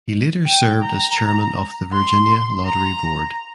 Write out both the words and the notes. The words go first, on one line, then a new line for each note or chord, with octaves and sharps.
He later served as chairman of the Virginia Lottery board.
G5
A#5
C6
A#5